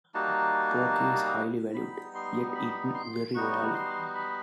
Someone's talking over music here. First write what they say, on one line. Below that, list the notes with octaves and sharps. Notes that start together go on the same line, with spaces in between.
Pork is highly valued, yet eaten very rarely.
G3 A#3 D#4 F#4 A5
G3 B3 D#4 B5
C6
B5
C6
G3 B3 D#4 F#4 C#6
C6
B5